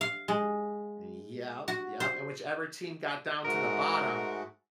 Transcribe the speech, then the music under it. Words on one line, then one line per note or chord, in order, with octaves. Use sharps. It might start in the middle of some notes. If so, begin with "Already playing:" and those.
Yep. Yep, and whichever team got down to the bottom
F5
G#3
F#4
C5
G#2 G#3 A3 F#4 A#4